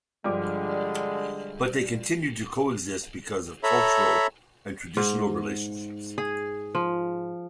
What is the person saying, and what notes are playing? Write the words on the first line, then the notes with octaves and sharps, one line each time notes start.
But they continue to co-exist because of cultural and traditional relationships.
G2 D3 F3 G3 G#3 D6
A4 C#5 E5 A#5 B5
G#2
G#4
F3